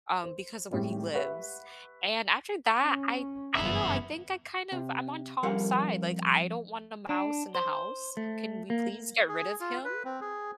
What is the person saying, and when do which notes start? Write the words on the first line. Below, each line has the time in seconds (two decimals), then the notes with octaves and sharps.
um, because of where he lives, and after that, I I don't know, I think I kind of I'm on Tom's side. Like, I don't want a mouse in the house, can we please get rid of him?
0.24 C5
0.71 A2 G3 G#3 C4
1.14 G4 B4 E5 F#5 C#6
2.81 C#4
3.55 F#1 G2 B3 E5
4.72 C3
5.43 F2 G3 A#4 F5 F#5
7.09 D4
7.55 C5
8.17 A3
8.70 A#3
9.29 G#4
9.60 F4
9.85 B4
10.05 C4
10.21 G#4